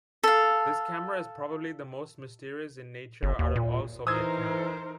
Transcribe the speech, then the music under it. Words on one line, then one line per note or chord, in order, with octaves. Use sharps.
This camera is probably the most mysterious in nature out of all Soviet cameras.
A4 F5
G1
D#2
A#2
E3 D#4 A#4 C5 D#6 E6 G#6